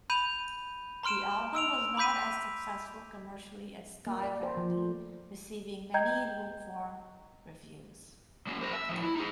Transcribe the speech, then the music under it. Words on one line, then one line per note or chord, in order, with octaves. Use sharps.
The album was not as successful commercially as "Sky Valley", receiving many lukewarm reviews.
B5 G6 D#7 F7
A#5 C6 F6 D7 E7
E6 D7 F7
B5 D6 G6 B6 D#7
A#3
D5
C5
F3
A3
D#5 G5 A#5 G6 G#6
F#3 A#3
A#4 C5
E5
A2 F3
E4
D#4 G#4